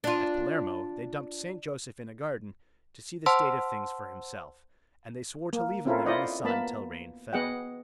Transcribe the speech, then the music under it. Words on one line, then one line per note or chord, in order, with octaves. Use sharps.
At Palermo they dumped St. Joseph in a garden to see the state of things for himself, and they swore to leave him there in the sun till rain fell.
D4 F4
C5 F#5 A5 C6 E6
A#3
C4 C#4 E4 F4 A4 A#4
E4 F4 C5 D5 D#5 F#5
A#3 B3 A5 B5
B3 G#4 D#5 F#5 G5